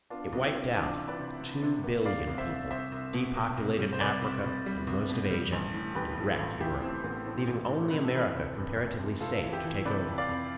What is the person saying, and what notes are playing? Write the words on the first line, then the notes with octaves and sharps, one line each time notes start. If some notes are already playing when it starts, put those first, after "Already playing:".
It wiped out two billion people, depopulated Africa and most of Asia, and wrecked Europe, leaving only America comparatively safe to take over.
B3 D4 F4
C2
E4 G4
B3
E3 D4 F4
C3
B4 D5
C3
C3
C3
B3
B3 D5 F5
C2
C5 E5
C2
C2 C5 E5
C2
B2
B2
C2
G3
C5
C2 B4 D5
C2
C2
G3
C2
B2
G3
A1
A2
A1 G4 B4
A2
F4 A4
A1
A1 E4 G4
A2 C4
A1 B3
A2 C4
A1
A2
C3 B4
A4
E3 G4 B4
F1
F1
F2
F2
C3 F4 A4
E3
E4 G4
E3
C3 B4 D5
F2
D5 F5
F2